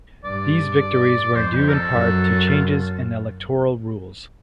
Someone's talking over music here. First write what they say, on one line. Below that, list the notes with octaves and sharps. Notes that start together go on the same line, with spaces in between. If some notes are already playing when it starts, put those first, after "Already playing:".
These victories were due in part to changes in electoral rules.
G2 D5
F2 C5
G4
A#4
A4
F#2
F4